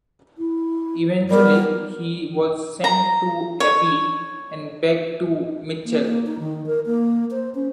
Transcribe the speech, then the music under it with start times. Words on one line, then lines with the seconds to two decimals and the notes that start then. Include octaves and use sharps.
Eventually he was sent to Abeele and back to Mitchell.
0.38 E4
1.31 G3 B3 A#4
2.84 A#5
3.60 C#5
5.85 A#3
6.05 A#3
6.27 D#4
6.39 D#3
6.66 A#4
6.86 A#3
7.31 C5
7.55 C#4